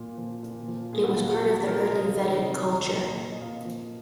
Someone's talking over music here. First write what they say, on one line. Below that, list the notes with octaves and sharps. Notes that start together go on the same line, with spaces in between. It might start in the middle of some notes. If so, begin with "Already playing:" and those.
It was part of the Early Vedic culture.
Already playing: A#2 F4
F3
A#2
F3
A#2 G#4
F#4
F3 F4
F#4
A#2 G#4
F3 A#4
C3 D#5
F5
D#3 D#5
C3
D#3
A#2
F3
D#5
A#2 F5
F3